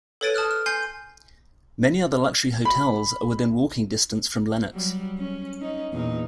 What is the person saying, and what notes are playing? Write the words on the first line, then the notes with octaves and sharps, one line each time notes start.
Many other luxury hotels are within walking distance from Lenox.
A4 B4 C#5 A6 D7 D#7
A5 D#6 F6 F#6
F6
G#5 C6 G6 C7
B5
F#3 G3
C#4
C#4 D#4
E2 A#2 D#4